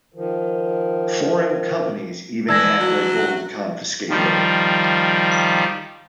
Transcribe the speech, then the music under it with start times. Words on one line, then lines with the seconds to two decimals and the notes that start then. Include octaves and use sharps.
Foreign companies even had their gold confiscated.
0.14 D#3 F3
2.49 E3 D4 E6 G#6 A#6
2.80 F#3 F#4
4.10 D#3 F3 G3